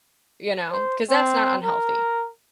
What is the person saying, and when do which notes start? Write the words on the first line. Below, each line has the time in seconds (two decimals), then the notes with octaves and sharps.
you know, cause that's not unhealthy.
0.72 C5
1.10 C4
1.64 A#4